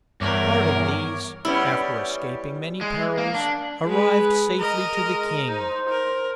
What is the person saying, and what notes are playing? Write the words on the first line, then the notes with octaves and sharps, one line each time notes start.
Part of these, after escaping many perils, arrived safely to the king.
E2 G2 A#4 C#5 D6
G3 B3 C#4 E4
G#3
A#3
D4
G#3 G#4 B4
A#4 D#5
G#3
D#4 C5
A#4